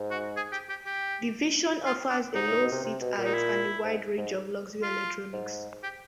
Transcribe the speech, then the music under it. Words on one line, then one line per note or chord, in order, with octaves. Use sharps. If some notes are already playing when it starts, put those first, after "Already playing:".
The Vision offers a low seat height and a wide range of luxury electronics.
Already playing: G#2
F#4
G#4
G4
G4
G4
F4
D4
G#2 D#4
A2
B2
C3
C3
B2
A#2
D#4
E4
G#2
G#2
F4
G#2
G4